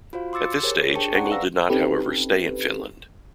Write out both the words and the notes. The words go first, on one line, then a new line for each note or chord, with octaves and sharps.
At this stage Engel did not however stay in Finland.
F4 F#4 C5 F5
C6 D6 E6 A6 C#7
G4 G#4 A#4 C5 C#5
D4 G#4 G5 A5 C#6 C#7
C#4 C5 D5 F#5 A#5 C#6
B4 D5 F5 E6 A#6
C4 C#4 D#4 G4 A4 B4